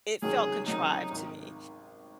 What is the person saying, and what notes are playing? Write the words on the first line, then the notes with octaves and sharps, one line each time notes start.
it felt contrived to me.
C#2 C3 D#3 F#3 C#4 G#4
C#2 C3 D#3 F#3 C#4 D#4
G#1 D#3